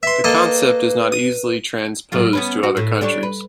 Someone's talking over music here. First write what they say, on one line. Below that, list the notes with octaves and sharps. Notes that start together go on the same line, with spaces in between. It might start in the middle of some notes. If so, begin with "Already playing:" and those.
The concept is not easily transposed to other countries.
B4 E5 C6
A#3 A4 D#5
D#6
A2 F#3 F4
B3 C#4 B4
F#4
A2
G3 D4 C#5
B4